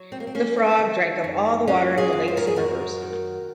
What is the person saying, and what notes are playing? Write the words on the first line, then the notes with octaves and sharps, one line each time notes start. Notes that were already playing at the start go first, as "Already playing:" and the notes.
The frog drank up all the water in the lakes and rivers.
Already playing: F#3
C4
A#3
C4
F#3 A#3 C#4
C4 D#4
D#3
F#2
F#3 C#4 F4
F4 G#4
F#2
C5
A#4
G#4
F#2 F#4 A#4
D#3